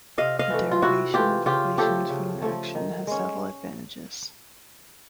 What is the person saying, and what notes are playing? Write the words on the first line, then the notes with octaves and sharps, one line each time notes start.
The derivation of equations from an action has several advantages.
C3 D#5 F5
D#5 F5
E3 A3
F4
C3 E4 F#4
E3 A3 F4 G4
C#3 F4 G4
F3 A3 G4 A4
C#3
F3 A3
D#3
G#3 C#4